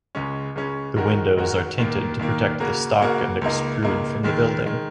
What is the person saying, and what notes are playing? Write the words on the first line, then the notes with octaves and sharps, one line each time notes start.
The windows are tinted to protect the stock and extrude from the building.
C#2 C#3 G#3 C#4
C#2 C#3 G#3 C#4
G#2 D#3 G#3 F#4 A#4
G#2 D#3 G#3 F#4 A#4
D#2 D#3 A#3
D#2 D#3 A#3
C#3 A#3 F#4 A#4
C#3 A#3 F#4 A#4
C#2 C#3 A#3 D#4
C#2 C#3 A#3 D#4
D#2 D#3 G#3
D#3 G#3